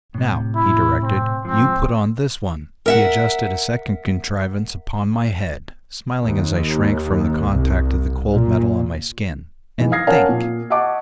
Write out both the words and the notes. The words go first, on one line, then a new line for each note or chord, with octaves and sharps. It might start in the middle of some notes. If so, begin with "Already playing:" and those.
"Now," he directed, "you put on this one"--he adjusted a second contrivance upon my head, smiling as I shrank from the contact of the cold metal on my skin--"and think!"
A2 C3
E4
C4
G#2 F3 C4
A#4 E5 F#5
D#2
C2
A#2
G#2 E3
F5 D#6 G#6 A#6 C7
C#4 A#4 C#5 F5 F#5 A5
A#2
D#5 E5 F#5 A5 C#6 D6